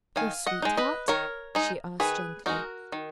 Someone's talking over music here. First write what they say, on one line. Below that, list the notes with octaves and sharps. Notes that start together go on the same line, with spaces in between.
"Your sweetheart?" she asked gently.
D#3 F5 G#5
D#5 F#5
G#3 D#4
B4 D#5
D#3 A#4 C#5
G#3 D#4
D#3 G#4 B4
G#3 D#4 F#4 A#4
D#3